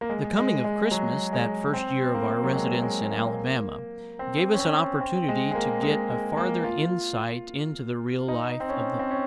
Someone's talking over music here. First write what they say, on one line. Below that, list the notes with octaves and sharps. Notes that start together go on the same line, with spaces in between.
The coming of Christmas, that first year of our residence in Alabama, gave us an opportunity to get a farther insight into the real life of the people.
A#3
G#3
G#3
G#3
F#3
G#3
C4
A#3
F#3
G#3
G#3
A#3
C4
C#4
C4
C4
G#3
G#3
A#3
G#3
G#3
A#3
F4
D#4
C4
C#4
C4
C#4